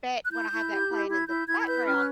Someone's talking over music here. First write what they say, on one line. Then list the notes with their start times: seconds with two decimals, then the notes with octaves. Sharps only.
but when I have that playing in the background,
0.22 F#6
0.31 E4 G6
0.51 E4
0.70 G4
0.89 E4
1.09 E4 G#6
1.28 E4 G6
1.47 E4 G#6
1.60 G#6
1.67 B4 G6
1.86 C#4 F6
1.96 F#6